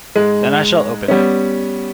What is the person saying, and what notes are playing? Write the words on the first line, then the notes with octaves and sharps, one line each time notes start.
Then I shall open it.
G#2 G#3
G3 B3 C#4